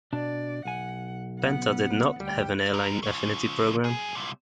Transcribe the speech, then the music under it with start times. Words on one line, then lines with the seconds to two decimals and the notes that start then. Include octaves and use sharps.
Penta did not have an airline affinity program.
0.13 B2 D4 D5
0.65 B1 F#5 G#5
1.40 B3 F#5
2.20 D2 G3 G5
2.74 G#3 A#4
3.03 C#3 F3
3.85 F#2 G#4
4.15 C2 A#2